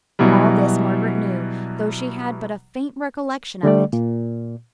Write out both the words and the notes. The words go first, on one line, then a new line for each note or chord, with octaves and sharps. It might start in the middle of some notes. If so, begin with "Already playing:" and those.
All this Margaret knew, though she had but a faint recollection of it.
B2 E3 F#3 G3
D3 G3 A3 D5
A#2